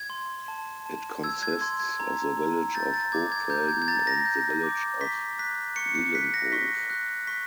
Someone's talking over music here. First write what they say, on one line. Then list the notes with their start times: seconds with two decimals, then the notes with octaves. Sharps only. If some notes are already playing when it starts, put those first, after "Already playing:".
It consists of the village of Hochfelden and the village of Wilenhof.
Already playing: G#6
0.10 C6
0.48 A5
0.86 A5
1.23 E6 G#6
1.43 G#6
1.61 C6 G#6
1.80 G#6
2.00 A#5
2.37 A#5
2.74 G6 A6
2.94 A6
3.12 D6 G#6
3.32 G#6
3.50 A#5 G6
3.69 G#6
3.82 G#6
3.88 A#5 A6
4.07 A#6
4.25 G6
4.63 D6
5.01 C#6 B6
5.39 F#6 B6
5.76 C#6 C#7
5.95 C#7
6.15 F#6 B6
6.34 A#6
6.52 C#6 B6
6.90 F#6
7.27 C#6 B6